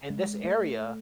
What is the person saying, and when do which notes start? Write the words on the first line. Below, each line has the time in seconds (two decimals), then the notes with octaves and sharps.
in this area
0.10 G#3
0.44 A3